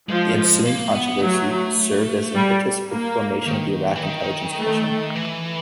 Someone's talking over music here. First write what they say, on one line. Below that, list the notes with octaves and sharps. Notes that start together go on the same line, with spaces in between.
The ensuing controversy served as impetus for the formation of the Iraq Intelligence Commission.
F3 G#3
A#3
B3
F#3 A3
G3
A#3
D#3
E3
D#3
A3
E3